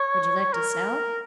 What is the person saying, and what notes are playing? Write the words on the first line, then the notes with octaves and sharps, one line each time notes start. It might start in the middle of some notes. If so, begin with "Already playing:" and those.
"Would you like to sell?"
Already playing: C#5
A#4